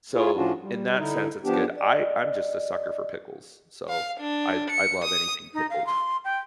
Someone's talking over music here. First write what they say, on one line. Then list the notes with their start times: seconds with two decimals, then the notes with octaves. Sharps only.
So in that sense, it's good. I I'm just a sucker for pickles. So I I love anything pickled.
0.15 E4 F4 G#4 C#5
0.35 A2 F3 C#4 D4 F4 F#4
0.61 G3
0.97 D3 D#4 E4
1.44 F3 B3 D4 G4
1.76 D5 D#5
3.89 F5
4.20 D4
4.70 C#7
5.04 D#6
5.54 D#4
5.70 F5
5.87 C6
6.24 G5